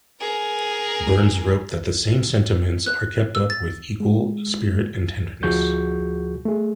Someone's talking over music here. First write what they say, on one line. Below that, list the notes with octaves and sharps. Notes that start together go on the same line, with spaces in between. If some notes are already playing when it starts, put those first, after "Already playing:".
Burns wrote that "The same sentiments are kept up with equal spirit and tenderness".
G#4 A#4
F#6
E6
A6
G#3
D2 F3 F#4 G#4 C#6 G6
A3 G#4